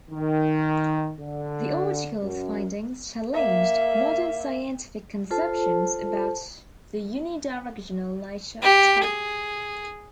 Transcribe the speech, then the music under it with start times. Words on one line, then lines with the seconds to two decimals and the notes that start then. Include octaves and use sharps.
The article's findings challenged modern scientific conceptions about the unidirectional nature of time.
0.11 D#3
1.19 D3
2.22 F#2
3.34 A#3 E5
5.31 F4 A4 C5 A5
8.63 G4
9.04 G#4